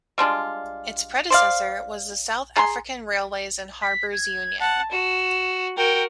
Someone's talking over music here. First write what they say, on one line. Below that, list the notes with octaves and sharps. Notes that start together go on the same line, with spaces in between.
Its predecessor was the South African Railways and Harbours Union.
G3 G#3 D4 F4
C5 D5 F5
G#4 A#5 C6
B6
G#6
F#5 A5
F#4 E7
F#4 A#4 G5